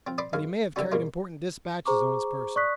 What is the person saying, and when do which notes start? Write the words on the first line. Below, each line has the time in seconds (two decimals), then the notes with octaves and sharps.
But he may have carried important dispatches on his person.
0.07 F3 C4
0.18 C5 D5 B5 C6 D6
0.33 F#2 G#3 F5
0.76 D3 E3 F#3 G3 C#4 F#4
0.92 G2 B2 G#3 A#3 F4
1.86 G#4 C5 A#5 C#6 D6
2.56 D5 C#6 D#6 F#6 B6